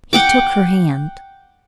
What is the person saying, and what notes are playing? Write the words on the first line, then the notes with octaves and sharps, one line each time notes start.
He took her hand.
F#5 G5 D6